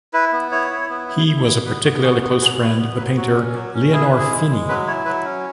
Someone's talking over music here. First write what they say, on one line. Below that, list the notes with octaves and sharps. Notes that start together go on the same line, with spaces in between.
He was a particularly close friend of the painter Leonor Fini.
E4 B4
B3
E4 C#5
E4
B3
E4
E4
B3
B3 B4
B3 F#4
F#4 G#4
B3 F#4
F#3 G#4
E4 F#4
B3
F#3 B4
F#3 F#4
C#4
F#3
C#4
E4 G#4
B4
E4
G#4
G#3
G#3
F#3 B4
E4 C#5
F#3 B4
C#4